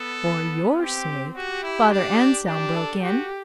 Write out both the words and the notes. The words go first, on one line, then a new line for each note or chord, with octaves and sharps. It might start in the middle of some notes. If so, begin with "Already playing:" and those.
"For your sake?" Father Anselm broke in.
Already playing: B3 A4
C4 G4
F#4 G4
E4
D4
D4 G4
A4
F#4 G4